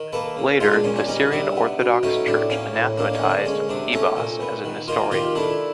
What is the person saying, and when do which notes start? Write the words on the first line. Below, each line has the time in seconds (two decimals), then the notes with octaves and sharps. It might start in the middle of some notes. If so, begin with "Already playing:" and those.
Later, the Syrian Orthodox Church anathematized Ibas as a Nestorian.
Already playing: D#3
0.13 A#3 A4 B4
0.37 C#3
0.60 G#3 D#4 F4
0.72 D4
0.84 A#2 C#4
0.96 D4
1.08 G3 C#4 D#4
1.31 C3 D4
1.55 B3
1.79 B2
2.03 A3 C#4 D#4
2.26 A2 D4
2.50 A#3 C#4
2.74 A2
2.98 A#3 D4
3.13 C#4 D#4
3.21 D3
3.29 D4
3.45 G#3 C#4
3.69 C3 D4
3.93 A3 C#4 D#4
4.17 A#2
4.40 B3
4.64 D#3
4.88 A#3 D#4 F4
5.11 D#3 F4 G4
5.35 A3 D4 E4